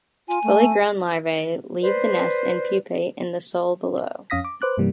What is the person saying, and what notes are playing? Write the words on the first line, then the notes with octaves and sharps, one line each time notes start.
Fully grown larvae leave the nest and pupate in the soil below.
F4 G#5
A3
B4 C5 D5
F2 C#4 F5 D#6 A#6 B6
D6
B4 C5 D6 F#6
G2 C3 E3 G3 A#3